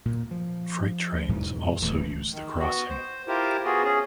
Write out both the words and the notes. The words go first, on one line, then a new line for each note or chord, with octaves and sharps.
Freight trains also use the crossing.
A#2
F3
E2 G#2 B2
D1 E3 A3
D#3
B3 F#4
C5
E4 F4 G4 A#4 C5
B3 F4 F#4 G#4
C#4 G#4